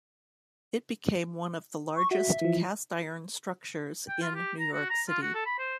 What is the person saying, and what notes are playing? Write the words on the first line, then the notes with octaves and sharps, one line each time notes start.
It became one of the largest cast-iron structures in New York City.
C#6
F#4 E5
E3 F3
G5
F4
G4
A#5
F#4
A#5
F4
F#4
A4
B5
C5